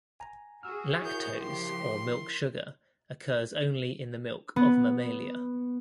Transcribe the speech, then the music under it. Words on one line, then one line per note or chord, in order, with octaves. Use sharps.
Lactose, or milk sugar, occurs only in the milk of mammalia.
G#5 A#5
F#4 G#4 E6 F6
E4 A#4 C#5 G6
C#3 F3 G4 C6
B3